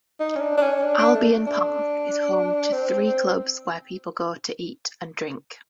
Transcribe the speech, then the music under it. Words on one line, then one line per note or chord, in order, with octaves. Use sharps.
Albion Park is home to three clubs where people go to eat and drink.
D#4
C#4
D4
D4
C#4
D4
D4
A3
D4
C4